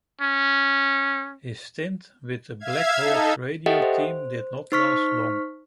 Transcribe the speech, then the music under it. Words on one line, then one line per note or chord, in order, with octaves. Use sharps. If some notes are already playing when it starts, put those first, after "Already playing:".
His stint with the Blackhawks radio team did not last long.
C#4
E5 F5 G#6
D#4 A4
G4 A4 D#5 E5 F#5 G5
C5
D#4 C5 C#6 F6 B6